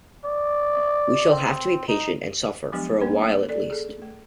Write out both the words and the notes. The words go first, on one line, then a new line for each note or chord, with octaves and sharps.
We shall have to be patient, and suffer for awhile at least.
D5
C4
D#4
F3 F#3 G#3 B3 D4 G4
A3 A#3 C#4 D4
A4 D5
G#4 A4
A3